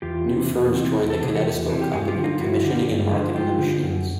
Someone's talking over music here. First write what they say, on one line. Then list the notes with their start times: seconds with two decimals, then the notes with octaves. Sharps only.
New firms joined the Kinetoscope Company in commissioning and marketing the machines.
0.02 E2 F4 G4
0.26 C3 E3
0.51 E2
0.74 C3 E3
0.97 E2
1.10 A4
1.21 C3 E3 G#4
1.36 G4 A4
1.45 E2
1.69 C3 E3
1.82 G4
1.93 G2 F#4 G#4
2.08 F4 G4
2.16 D3 F3
2.24 D#4 F4
2.40 G2 E4 F#4
2.64 D3 F3
2.88 G2
3.12 D3 F3
3.35 G2 F4 G4
3.59 D3 F3
3.83 F#2